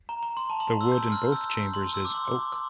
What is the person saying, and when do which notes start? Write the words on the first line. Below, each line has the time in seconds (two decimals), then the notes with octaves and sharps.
The wood in both chambers is oak.
0.09 A#5
0.23 A#5
0.37 C6
0.50 A5
0.60 C6
0.81 E6
0.92 G6
1.12 F6
1.32 E6
1.74 C6
1.94 E6
2.05 D6
2.15 C6
2.25 D6